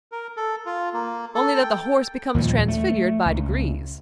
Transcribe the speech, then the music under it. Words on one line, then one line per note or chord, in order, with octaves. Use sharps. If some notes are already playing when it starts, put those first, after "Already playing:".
Only that the horse becomes transfigured by degrees.
A#4
A4
F4
A#3
A4
G5
D#2 A#2 F3 G3
A3
C#2